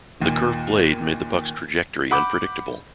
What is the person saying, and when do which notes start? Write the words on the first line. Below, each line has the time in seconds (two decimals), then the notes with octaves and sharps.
The curved blade made the puck's trajectory unpredictable.
0.21 D#2 A#2
2.11 F#5 B5 D6 G6